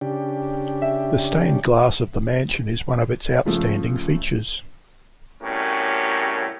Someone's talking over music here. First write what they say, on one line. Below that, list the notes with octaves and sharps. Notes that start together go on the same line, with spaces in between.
The stained glass of the mansion is one of its outstanding features.
C#3 D4 G4
E5
C#3 F3 A3
C2 A2 C#4 F#4 G4 A#4